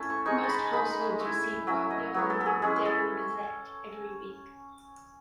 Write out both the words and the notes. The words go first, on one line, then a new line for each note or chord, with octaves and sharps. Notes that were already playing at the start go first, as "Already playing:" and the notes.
Most households receive a copy of the "North Devon Gazette" every week.
Already playing: A3 C#4 E4 A5
C#6
G#3 D#4 C#6
A5
B5
G#3 D#4 B5
A3 E4
F#3 C#4 E4 E5
D#5
F#3 B3 E4 C#5
A4
A4
G#4
G#3 C#4 E4 G#4
A4